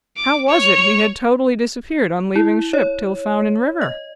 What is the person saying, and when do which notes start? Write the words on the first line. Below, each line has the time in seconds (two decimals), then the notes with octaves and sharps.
How was it he had totally disappeared on leaving ship, 'till found in river?
0.16 D6
0.48 C#5
2.36 E4
2.73 C#5
3.81 D#5